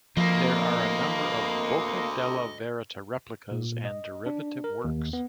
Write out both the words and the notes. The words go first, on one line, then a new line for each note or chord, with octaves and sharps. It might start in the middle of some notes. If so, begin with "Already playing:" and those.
There are a number of "Bocca della Verita" replicas and derivative works.
D2 F3 A#3 D#5 B5
A#2
D#5
D4
A#4
D#2
B3